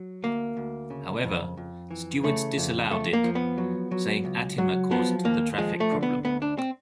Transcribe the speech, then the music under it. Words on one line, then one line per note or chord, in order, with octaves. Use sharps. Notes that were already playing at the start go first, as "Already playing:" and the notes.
However, stewards disallowed it, saying Attima caused the traffic problem.
Already playing: F#3
D2 A#3
D2
C#3
F2
F2
E3
C#3 A3
F2
F2 A3
A#3
F3
B3
F#3
F#3
C#2
F#3
F3 B3
D#2 A#3
F3 G#3
A3
D3
B3
D2 B3
D4
C4